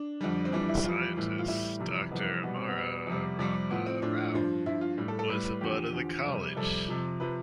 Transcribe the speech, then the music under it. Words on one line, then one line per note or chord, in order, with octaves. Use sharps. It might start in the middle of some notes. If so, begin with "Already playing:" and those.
The scientist Doctor Amara rama Rao was a bud of the college.
Already playing: D4
F2 D3 G3
C4
F2 E3 G3 D4
E4
F2 E3 G3 F4
A2 E3 G3
F4
A2 E3 G3 E4
F2 C3 E3 G3
F2 C3 E3 G3 B3
B2 G3 B3
C4
B3
B2 G3
F2 C3 G3
F2 C3 G3
A2 F3 B3
C4
A2 F3 D4
G2 F3
G2 F3 E4
F4
A2 G3
A4
A4
A2 G3 B4
B4
E2 D3 F3 G4
E2 D3 F3
F2 C3 G3
F2 C3 G3 A4
F2 C3 F3
C3 F3 B4